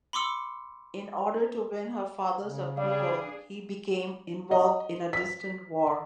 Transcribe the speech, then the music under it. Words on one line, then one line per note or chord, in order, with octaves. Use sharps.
In order to win her father's approval, he became involved in a distant war.
B5 C6 D6 E6 C#7
C#3
G3 D4 G#4 D5 F5
D#5
B6